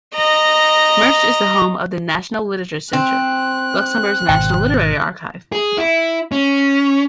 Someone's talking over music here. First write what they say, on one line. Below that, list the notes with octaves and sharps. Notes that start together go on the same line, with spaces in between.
Mersch is the home of the National Literature Centre, Luxembourg's national literary archive.
D#5 A#5
C4 F#6
G#1 B2 G5
G#4
E4
C#4